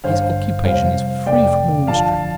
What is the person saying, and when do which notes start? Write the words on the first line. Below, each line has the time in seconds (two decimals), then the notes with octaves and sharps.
His occupation is free from all restraint.
0.04 A1 G2 D3 C5 F5
0.65 F2 C3 G3 C5 F5
1.26 F2 C3 A3 D5 G5
1.87 G1 F2 D3 F3 F5 A5